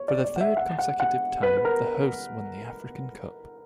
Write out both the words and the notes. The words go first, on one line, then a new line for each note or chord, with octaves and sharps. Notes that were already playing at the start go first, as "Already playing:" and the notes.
For the third consecutive time the hosts won the African Cup.
Already playing: C#5
D5
D5
F#5
E5
F#5
F#5
F#5
B4
B4
A#4